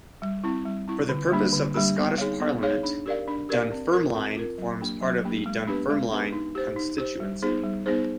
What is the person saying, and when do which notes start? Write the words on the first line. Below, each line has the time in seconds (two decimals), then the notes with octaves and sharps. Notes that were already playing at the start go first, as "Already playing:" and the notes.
For the purposes of the Scottish Parliament, Dunfermline forms part of the Dunfermline constituency.
0.22 G3
0.44 C4 E4
0.65 G3
0.88 C4 E4
1.09 D3
1.31 G3 A#3 D4 G4
1.53 D3
1.74 G3 A#3 D4 G4
1.97 B3
2.18 D#4 G#4 C#5 F5
2.40 B3
2.62 D#4 G#4 C#5 F5
2.83 D4
3.06 G4 A#4 D5 F5
3.27 D4
3.49 G4 A#4 D5 F5
3.72 C4
3.93 F4 A#4
4.15 C4
4.36 F4 A#4
4.58 F#3
4.80 A#3 D4 G4
5.01 F#3
5.24 A#3 D4 G4
5.46 G#3
5.67 B3 D4 G4 B4
5.90 G#3
6.12 B3 D4 G4 B4
6.33 D#4
6.55 G4 C5
6.76 D#4
6.98 G4 C5
7.20 G3
7.42 B3 D#4 G#4 C5
7.64 G3
7.86 B3 D#4 G#4 C5